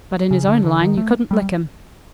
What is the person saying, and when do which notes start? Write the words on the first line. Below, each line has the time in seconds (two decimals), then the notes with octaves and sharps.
But in his own line you couldn't lick him.
0.31 C#3
0.47 D3
0.64 D3
0.81 D#3
0.97 A3
1.31 G3